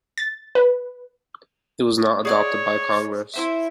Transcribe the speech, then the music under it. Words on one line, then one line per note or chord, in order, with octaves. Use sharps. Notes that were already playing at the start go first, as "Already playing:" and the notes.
It was not adopted by Congress.
A6
B4
G#4 C#5 D5 F6
E4 C5 E5